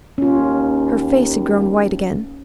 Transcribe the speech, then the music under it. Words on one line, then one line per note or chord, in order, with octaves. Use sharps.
Her face had grown white again.
D#2 C#4 F4